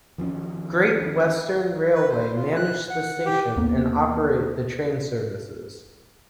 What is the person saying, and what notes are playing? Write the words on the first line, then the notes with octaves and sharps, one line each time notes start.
Great Western Railway manage the station and operate the train services.
D#3 F3 A#3 C#4
B4
C5
F4
F#6
F#5
G4
D#2 A#3 B3